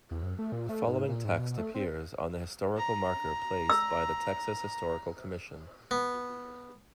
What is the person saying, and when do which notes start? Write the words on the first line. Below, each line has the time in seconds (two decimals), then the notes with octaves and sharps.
The following text appears on the historical marker placed by the Texas Historical Commission.
0.11 E2
0.23 F#2
0.39 A3
0.52 A#2
0.69 A3
0.88 G#2
1.08 A#2
1.25 G#2
1.39 B2
1.58 A3
1.74 C4
2.77 A#5
3.70 E6
5.91 B3